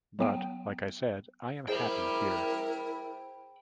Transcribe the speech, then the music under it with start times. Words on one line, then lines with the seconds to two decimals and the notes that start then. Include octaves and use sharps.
But like I said, I am happy here.
0.19 F#3 B3 G5
1.68 E4 G#4 A#4 C5 G5 B5